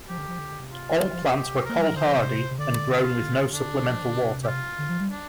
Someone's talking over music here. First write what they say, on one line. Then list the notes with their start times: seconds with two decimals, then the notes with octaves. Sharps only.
All plants were cold-hardy and grown with no supplemental water.
0.08 F3 G4
0.18 D3
0.28 F3
0.39 D3
0.49 D3
0.59 C3
0.71 F4
1.01 D3
1.12 F3
1.22 C3
1.33 C3 G4
1.65 A#3 A#4
1.78 G3
1.87 F3
1.96 D3 C5
2.06 F3
2.16 C3
2.51 C3
2.59 D3 D5
2.91 F4
3.22 D3
3.32 D3
3.42 D3
3.53 D3 D4
3.89 F3
4.02 D3
4.16 C3
4.43 G4
4.47 F4
4.78 D3
4.89 F3
5.00 G3
5.10 D4